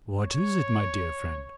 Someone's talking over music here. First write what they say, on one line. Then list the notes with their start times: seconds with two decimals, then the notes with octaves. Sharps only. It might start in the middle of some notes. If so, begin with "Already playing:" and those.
"What is it, my dear friend?"
0.23 C#5